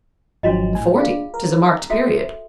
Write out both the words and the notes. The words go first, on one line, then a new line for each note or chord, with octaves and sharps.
Forty; 'tis a marked period.
G#1 F3 F#3 D4 F#4 D#5
A2 G#5
D4 F4 G#4 F5
A#4
F#4 A4 E5